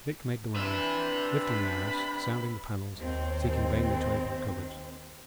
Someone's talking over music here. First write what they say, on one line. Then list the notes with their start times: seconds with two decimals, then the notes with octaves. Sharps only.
Dick made the round, lifting the arras, sounding the panels, seeking vainly to open the cupboards.
0.56 C3 D4 B4 E5
1.45 B5
2.98 D#2 C4